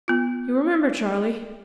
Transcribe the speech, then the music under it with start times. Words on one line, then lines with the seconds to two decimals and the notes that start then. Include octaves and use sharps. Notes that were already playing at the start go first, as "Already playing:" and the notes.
You remember, Charley?'
0.08 B3 F4